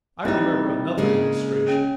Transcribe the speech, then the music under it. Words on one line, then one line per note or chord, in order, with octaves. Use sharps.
I remember another illustration.
G3 C4 D#4 E4 D5
C#3 G#3 A#3
C#4 G5